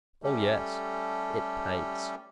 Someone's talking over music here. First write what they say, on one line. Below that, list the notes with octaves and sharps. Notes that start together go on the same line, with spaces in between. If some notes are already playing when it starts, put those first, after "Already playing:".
"Oh yes, it pays."
G3 A3 C#4 G4 A4